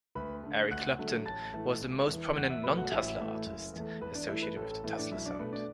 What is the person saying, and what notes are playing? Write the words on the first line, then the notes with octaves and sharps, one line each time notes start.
Eric Clapton was the most prominent non-Tulsa artist associated with the Tulsa sound.
D2 B4 B5
D3 A3
D2 F#5 F#6
D3 F#3 A3
A1 A5 A6
A2 E3 A3
E1
E2 E3
E2 F#5 F#6
E5 E6
B2 F#3 A3 B4 B5
F#4 F#5
A1 E4 E5
A2 E3 A3
F#1
E2 E3 A3
E2 B4
D4 D5
E3 A3 E4 E5
B4
A1 A4
A4
A2 E3 A3
D4 D5
B1 E4 E5
D4 D5
B2 A3 B4
D4 D5